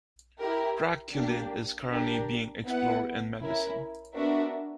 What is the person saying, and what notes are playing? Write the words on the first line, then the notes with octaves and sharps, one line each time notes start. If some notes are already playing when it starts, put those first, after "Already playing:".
Draculin is currently being explored in medicine.
E4 G4 A#4
A#3 D4 G4
D4 G4 A#4
B3 E4 B4 F#5
C#4 E4 A#4
B3 D4 F#4 A#4 E5